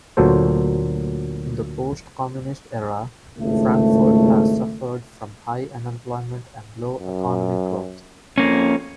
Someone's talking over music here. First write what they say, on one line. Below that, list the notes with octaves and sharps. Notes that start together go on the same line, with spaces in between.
In the post-communist era, Frankfurt has suffered from high unemployment and low economic growth.
D2 A#2 F#3 A4 C5
G#1 C#2 A2 A3
F#2
F2 A#3 C#4